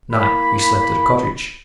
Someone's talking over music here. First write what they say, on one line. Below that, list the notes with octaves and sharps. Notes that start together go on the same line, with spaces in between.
At night we slept at a cottage.
A#3 E4 B5